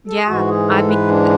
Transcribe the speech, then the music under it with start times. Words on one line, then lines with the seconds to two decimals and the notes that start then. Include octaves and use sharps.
Yeah, I mean uh
0.08 A4
0.18 G#4
0.29 G#2 E3 G#3 F#4
0.48 G#4
0.68 A4
0.89 B4
1.08 D4